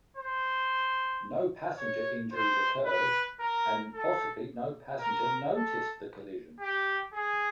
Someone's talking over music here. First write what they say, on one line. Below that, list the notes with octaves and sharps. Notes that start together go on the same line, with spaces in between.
No passenger injuries occurred, and possibly no passenger noticed the collision.
C5
C#5
C5
B4
A#4
A4
A#4
A4
G4
G#4